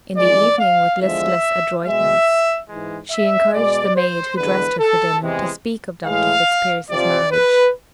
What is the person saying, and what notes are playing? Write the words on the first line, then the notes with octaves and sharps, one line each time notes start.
In the evening, with listless adroitness, she encouraged the maid who dressed her for dinner to speak of Dr. Fitzpiers's marriage.
F2 E3 G#3 D5
F5
E2 D3 F3 G#3 E5
B2 G#3 E5
G#2 E3 G#3
E5
B2 G#3 D5
C5
E2 D3 G#3 B4
A4
E2 C3 E3 G#3
A2 E3 G#3 F5
F2 C3 F3 D5
B4